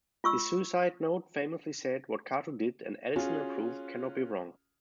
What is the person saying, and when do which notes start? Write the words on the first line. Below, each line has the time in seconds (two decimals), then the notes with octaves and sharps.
His suicide note famously said: What Cato did, and Addison approved, cannot be wrong.
0.24 F4 C#6 E6
3.16 C#4 F4 F#4 G#4